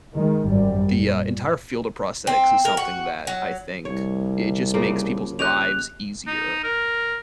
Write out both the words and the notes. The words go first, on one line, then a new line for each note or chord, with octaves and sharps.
the, uh, entire field of prosthetics is something that I think it just makes people's lives easier,
D#3 G#3
G#1 F#2 G3
A#2
C4
A#4
F#4
F#3
C2 C#5
C#3 F3 A#3
G4 C#5 D#5 F#6 F7
D#4
A#4